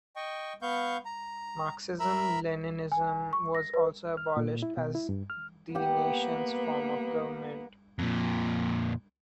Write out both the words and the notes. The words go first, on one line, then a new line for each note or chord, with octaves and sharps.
Marxism-Leninism was also abolished as the nation's form of government.
D#5 G5 C#6
B3 F5 C#6 G6
A#5
A#4 E5 A#5 B5 E6
G#5
C#6
A#6
B4
F6
A#2
E4
B2
E4
G2
F6
A#3 B3 G4 F#5
F2 A#2